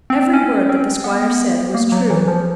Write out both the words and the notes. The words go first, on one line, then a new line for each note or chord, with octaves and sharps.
Every word that the squire said was true.
C4
C#4
C4
B3
A#3
F#3
E3
F3